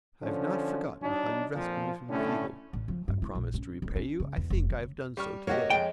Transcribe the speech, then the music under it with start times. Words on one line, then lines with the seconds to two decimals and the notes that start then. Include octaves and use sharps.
"I have not forgotten how you rescued me from the eagle; I promised to repay you, I think I have done so to-day."
0.21 D3 F3 C#4
1.02 F#3 D4 D#4
1.55 F2 A#2 F3
2.10 A2 D3 A3 C#4
2.73 A1
2.88 F3
3.08 G2
3.22 E4
3.35 A#1
3.54 C#4
3.82 F1
3.96 C#4
4.20 C#3
4.37 E2
4.50 F1
4.70 C#3
5.17 G3 C#6 F6
5.47 A#3 F#4 G4 C#5 D#5
5.70 F2 G#3 G5